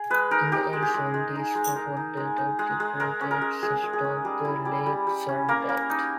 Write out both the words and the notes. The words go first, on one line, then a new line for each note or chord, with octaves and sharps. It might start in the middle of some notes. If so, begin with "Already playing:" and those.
In the early seventies Crawford dated Debra Tate, sister of the late Sharon Tate.
Already playing: G#4
G#3 B4
D#4 A#4
D#4 G4
G#3
G#4
G#3
G#3
D#4
G#3
D#4 A#4
D#4
G#3
D#4
G#3
G#3
G#3 A#4
C#4
A#4
G#3
G#3 G#4
G#3
G#4
C#4
G3 G#4
E4
G3
G3
G3
C#4
A#3 A#4
A#3
D#4